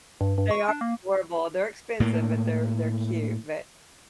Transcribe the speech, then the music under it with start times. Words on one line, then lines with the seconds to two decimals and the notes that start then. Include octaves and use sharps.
They are adorable. They're expensive, but they're they're cute. But,
0.21 G2
0.38 G2
0.51 C#6
0.68 D4
0.81 A#3
2.00 A2 A#3